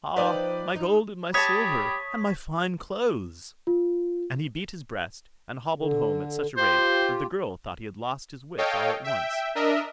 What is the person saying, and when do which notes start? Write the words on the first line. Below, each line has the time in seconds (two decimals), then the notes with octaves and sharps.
Ah! my gold and my silver, and my fine clothes.' And he beat his breast, and hobbled home at such a rate that the girl thought he had lost his wits all at once.
0.16 F3 D#4 B4 D5 G5
0.76 D#4
1.34 G4 C#5 A5 B5 D#6 G#6 B6
3.67 F4
5.77 D3
6.57 F4 G4 C5
8.58 A4 C#5 D#5 F5 G5
9.04 E5 G5
9.55 D4 A#4 D#5 E5